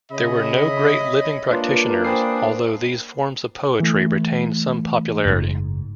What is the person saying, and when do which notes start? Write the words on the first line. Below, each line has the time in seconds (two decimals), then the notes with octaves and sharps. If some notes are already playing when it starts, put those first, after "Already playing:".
There were no great living practitioners although these forms of poetry retained some popularity.
0.11 C#3 C#5 D#5 E5 B5
1.50 A#3 D4 F4 B4
2.05 C5 G5 G#5 B5 D#6 C7
3.80 E3 A3
5.25 F#1 G#2